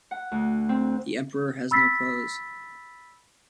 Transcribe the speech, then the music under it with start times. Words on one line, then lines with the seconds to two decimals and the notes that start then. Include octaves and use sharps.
The emperor has no clothes.
0.11 F#5
0.31 D2
0.69 C4
1.71 B5 E6 A6 B6 C7